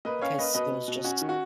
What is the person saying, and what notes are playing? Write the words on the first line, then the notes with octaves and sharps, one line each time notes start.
because it was just
A#3 B4 D#5
C#4 C#5 F5
A#3 B4 D#5
B2 B4 D#5
B2
B2
C#4 F#4
D#3
F#4